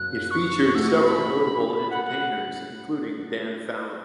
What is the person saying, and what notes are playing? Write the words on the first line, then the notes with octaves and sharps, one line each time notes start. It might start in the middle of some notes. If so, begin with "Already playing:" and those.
It featured several notable entertainers, including Dan Fallon.
Already playing: F#1 B2 F#6
C#6
A2 A3 F#4 E6
C#6
B5
B5
B5
F#5
F#5